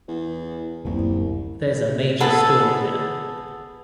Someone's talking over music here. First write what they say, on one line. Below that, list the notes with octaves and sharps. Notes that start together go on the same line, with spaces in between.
There's a major story there.
E2
D1 C2 F#2 A#3
B3 G#4 A4 F#5